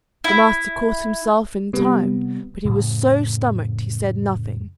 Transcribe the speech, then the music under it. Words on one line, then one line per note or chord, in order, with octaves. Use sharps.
The master caught himself in time, but he was so stomached, he said nothing.
E4
C3 G3 B3
F2 A2 C#3 F3